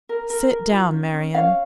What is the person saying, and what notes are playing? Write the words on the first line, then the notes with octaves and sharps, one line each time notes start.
Sit down, Marian.
A#4
A#4
A#4
F4
C#4
C#4
C#4 C#5 F5